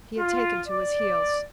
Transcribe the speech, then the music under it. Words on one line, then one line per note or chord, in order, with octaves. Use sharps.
He had taken to his heels.
F4
D5